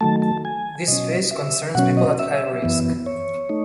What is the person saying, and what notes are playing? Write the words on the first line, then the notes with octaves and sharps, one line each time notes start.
This phase concerns people at high risk.
D#3 F#3 A3 A5
A5
G#5
B2 F#3 C#4 D#5
E5
B2 F#3 C#4 F#5
D#5
E5
F#2 E3 B3
C#5
A3 D#4